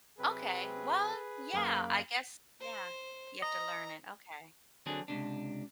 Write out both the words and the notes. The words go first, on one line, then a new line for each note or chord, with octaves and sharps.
Okay, well, yeah, I guess yeah, you have to learn it. Okay.
C3 F#3 C4 G#4 B4
F#2 A#3 F5 B5 D6
C5
D#5 A#5
D3 F#3 C4 D4 G#4
C#2 C3 D4